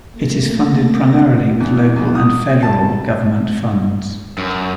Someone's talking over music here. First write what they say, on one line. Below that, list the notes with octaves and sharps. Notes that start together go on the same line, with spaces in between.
It is funded primarily with local and federal government funds.
A3 A#3 A6 A#6
E2
E2
D#6
A5
F#2